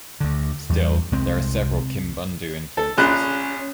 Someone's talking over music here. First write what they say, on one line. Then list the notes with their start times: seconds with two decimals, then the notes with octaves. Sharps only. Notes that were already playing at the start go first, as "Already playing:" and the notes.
Still, there are several Kimbundu influences.
0.20 D2 D3
0.69 E2 G3
1.12 C2 G#3 C4
2.77 A4
2.98 A#1 C#4 F#6